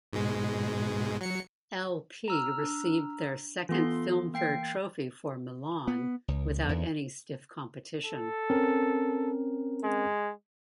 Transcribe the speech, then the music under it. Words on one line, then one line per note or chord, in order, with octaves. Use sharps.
L-P received their second Filmfare Trophy for "Milan" without any stiff competition.
G#2 B2 G#3
F#3 C#7
A#5 E6 F6
D4
E3 B3 F4 A4 C6
A#3 G5 C7
B3
C#2
E2
A4
C4 C#4 A#4
G#3